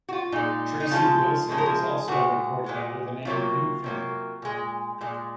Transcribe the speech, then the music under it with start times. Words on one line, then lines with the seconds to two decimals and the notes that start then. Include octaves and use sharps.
Tracy Wilson has also recorded under the name Ringfinger.
0.09 F#4
0.13 F4
0.32 A#2 G#3 D#4
0.80 D#4
0.91 C#3 F3 G#3 F4
1.49 C#3 F3 G#3 G#4
1.58 A#4
1.66 G#4
2.08 A#2 G#3 F#4
2.66 A#2 G#3
3.25 C3 F#3 A#3 F4
3.84 C3 F#3 A#3
4.42 A#2 G#3
5.01 A#2 G#3